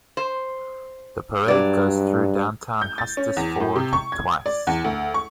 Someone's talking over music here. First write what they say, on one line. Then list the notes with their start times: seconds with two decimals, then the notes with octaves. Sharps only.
The parade goes through downtown Hustisford twice.
0.17 C5
1.48 G2 F#3 D5
2.81 G6
2.98 A6
3.17 C#4
3.37 E2
3.60 A2
3.76 C3
3.93 C#6
4.12 G#6
4.46 D5
4.67 E2
4.84 D2
5.14 C#6